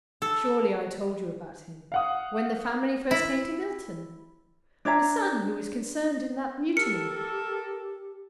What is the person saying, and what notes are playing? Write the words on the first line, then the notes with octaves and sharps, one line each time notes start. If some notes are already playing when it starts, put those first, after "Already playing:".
'Surely I told you about him, when the family first came to Milton--the son who was concerned in that mutiny.'
A4
F5 F#5 D#6
E4
D4 C#5 E5 A#5
G4 A4 A#4 C#7